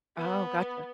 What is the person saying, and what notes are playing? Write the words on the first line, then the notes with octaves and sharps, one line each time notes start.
Oh, gotcha.
B3